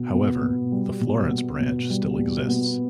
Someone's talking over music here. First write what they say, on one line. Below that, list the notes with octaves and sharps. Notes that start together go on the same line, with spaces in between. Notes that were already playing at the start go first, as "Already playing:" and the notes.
However, the Florence Branch still exists.
Already playing: B2
B3
B2
G3
B2
B3
B2
G3
B2
B3